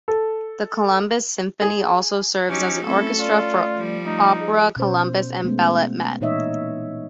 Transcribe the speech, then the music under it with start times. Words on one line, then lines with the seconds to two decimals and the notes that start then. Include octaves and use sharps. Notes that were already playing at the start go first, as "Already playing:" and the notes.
The Columbus Symphony also serves as the orchestra for Opera Columbus and Ballet Met.
0.08 A4
1.62 G#4
2.50 F#3 C#4 D#4 G4 C#7
2.86 A3 C4 C#4 E4 A4
3.19 F4 D5
3.76 F3 G3
4.06 A3 D#4
4.41 G#4 D#5
4.77 B2 C#4 C5
5.44 G#3 A3 B3 C#4
6.20 A#2 E3 D#4 C#5 D#5 E5